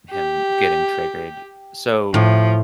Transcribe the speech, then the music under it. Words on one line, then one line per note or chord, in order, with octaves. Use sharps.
him getting triggered so
G4
A2 F3